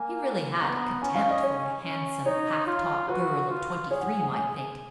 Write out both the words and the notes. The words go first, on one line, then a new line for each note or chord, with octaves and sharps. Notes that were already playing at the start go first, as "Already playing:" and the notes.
He really had a contempt for what a handsome half-taught girl of twenty-three might think.
Already playing: A#3 G#5
B3 A#5
C#4 G#5
F5
D#5
C#5
C#4
D#4 C#5
F4
F#4 B4
F4
G#4 C#5
F#5
G#5